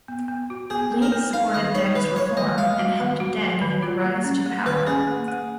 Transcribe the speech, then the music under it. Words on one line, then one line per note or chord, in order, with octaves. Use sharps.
Li supported Deng's reform and helped Deng in the rise to power.
B3
B3
F#4
B3 G#4
B3
A#4
B3
D#4 F5
D#3 D#5
D#4 C#5
D#3 B4
G#3 C#5
D#3 D#5
G#3 F5
F#4
D#3
F#4
F#4
D#3
F4
A#3
C#4
A#3
D#3 B4
C#4 G#4
A#3
A#3